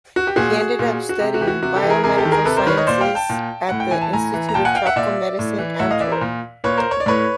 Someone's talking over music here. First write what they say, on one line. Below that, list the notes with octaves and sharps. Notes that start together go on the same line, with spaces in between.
He ended up studying biomedical sciences at the Institute of Tropical Medicine Antwerp.
F#4
G4
A#2 F#4 G#4
A#2
F#4
C3 G4
F#4
E3 G4
F#4
C3 F#4
G4 A4
E3
G#4 A#4
C3 G#4 A#4
G4 A4
D#3
G#4 A#4
C3 A4 B4
A#4 C5
D#3 B4 C#5
C#5 D#5
A#2 C5 D5
F5 G5
G5 A5
A#2
A2 F#5
G5
E3 G#5
A5
A2 G#5 A#5
E3
A#5
A#2 G5 A5
F#5 G#5
F5 G5
E5 F#5
A#2 D5 E5
A2
E3
A2 E5 F#5
D#5 F5
E3 D5 E5
A#4 C5
A#2
A#2 B4 C#5
A#4 C5
C#5
D5
A2 B4 C#5